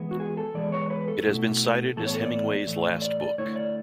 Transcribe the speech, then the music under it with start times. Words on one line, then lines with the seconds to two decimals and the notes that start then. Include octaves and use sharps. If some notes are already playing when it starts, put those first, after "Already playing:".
It has been cited as Hemingway's last book.
Already playing: E3 G#3 B3
0.11 F#4
0.20 G#4
0.37 A4
0.54 E3 G#3 B3 D5
0.72 C#5
0.90 B4
1.08 A4
1.26 B2 A3 C#4 E4
1.96 A2 E3 B3 A4
2.05 C#5
2.15 A4
2.23 D5
2.67 A2 E3 A3
3.02 D5
3.20 D5
3.38 D3 A3 E4 C#5
3.56 D5